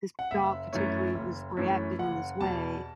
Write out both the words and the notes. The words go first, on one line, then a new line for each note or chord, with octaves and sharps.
this dog particularly was reacting in this way,
F#5
F#1 E5
F#2 E3 A3 C#4
F#1
F#2 E3 A3 C#4
F#1 F#5
E2 B2 A5